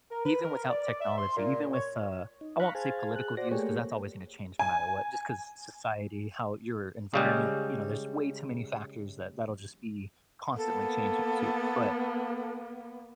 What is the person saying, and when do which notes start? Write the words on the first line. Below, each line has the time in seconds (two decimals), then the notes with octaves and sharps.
even without technology, even with, uh I won't say political views, 'cause that's always gonna change no matter what, just 'cause society how your environment you know, there's way too many factors that that'll just be constantly changing, too. But,
0.11 A#4
0.26 B4
0.42 A#4
0.69 D5
1.00 E5
1.18 C6
1.36 A#2
1.73 C#5
2.41 D#4
2.60 F5 A#5 B5 C#6 F#6
2.75 G#4 C5 F5 G#5 A5
3.16 G#4 F#6
3.37 F#4 C5 D5 A#6
3.51 A3 A#3 G4 G#4 C#5
4.59 G#5
7.14 C#3 G3 G#3
10.57 A#3 B3 A4